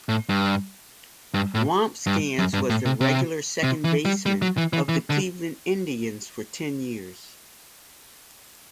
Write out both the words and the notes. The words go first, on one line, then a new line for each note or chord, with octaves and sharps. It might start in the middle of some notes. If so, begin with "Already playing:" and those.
Wambsganss was the regular second baseman of the Cleveland Indians for ten years.
A2
G2
G2
A2
G2
F#2
G2
A2
C3
C3
C3
E3
G3
G3
F#3
E3
E3
E3
D3